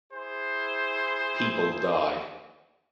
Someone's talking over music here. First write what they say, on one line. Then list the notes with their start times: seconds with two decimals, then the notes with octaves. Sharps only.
People die.
0.13 E4 G#4 C5